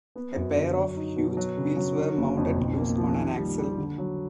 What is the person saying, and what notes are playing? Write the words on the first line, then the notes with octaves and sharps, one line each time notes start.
A pair of huge wheels were mounted loose on an axle.
B3
F#2
D3
F#3
D#4
B2
F#3
C#3
F#3
D3
F#1
F2
B1
A#3
F3
D#3
G3
G3
D3
F#3